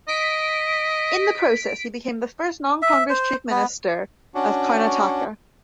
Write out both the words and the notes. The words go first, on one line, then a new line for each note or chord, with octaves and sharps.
In the process, he became the first non-Congress chief minister of Karnataka.
D#5 B6 D7
E5
C5
B3
C#4 D4 F#4